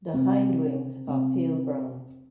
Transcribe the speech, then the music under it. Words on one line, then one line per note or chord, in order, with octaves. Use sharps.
The hindwings are pale brown.
C3
C3